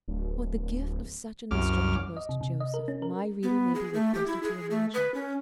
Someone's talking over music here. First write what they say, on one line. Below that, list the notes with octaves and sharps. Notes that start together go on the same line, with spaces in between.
What the gift of such an instructor was to Joseph, my reader may be requested to imagine.
D1
C2 F#2 D6 F6
D#5
C3
C3
D#5
A#4
C#4
A#4
B3
G#4
A3
G4
E4
G#4
A3
B4
C#4